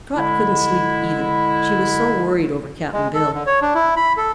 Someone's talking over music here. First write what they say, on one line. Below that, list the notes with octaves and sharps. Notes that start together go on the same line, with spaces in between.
Trot couldn't sleep, either, she was so worried over Cap'n Bill.
D3 G#3 E4
G#3
A4
D3
C#5
D4
E4
B5
A4